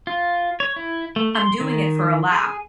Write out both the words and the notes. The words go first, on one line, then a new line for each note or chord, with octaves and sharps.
I'm doing it for a laugh.
F4
C#5
E4
A3
C6
D#3
G#4